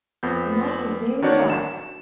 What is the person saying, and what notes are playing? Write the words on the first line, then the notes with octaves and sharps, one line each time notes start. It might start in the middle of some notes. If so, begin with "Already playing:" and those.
"The night is very dark."
F2 B3 G6
D#3 D4 F#4 C#5 D5
E7